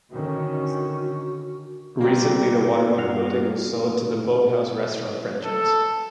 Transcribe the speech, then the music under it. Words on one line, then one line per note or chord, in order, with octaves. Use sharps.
Recently the Watermark building was sold to The Boathouse restaurant franchise.
D3 D#3 C#4 F#4
G3 A#3 C4
G2 F#4 F5
A4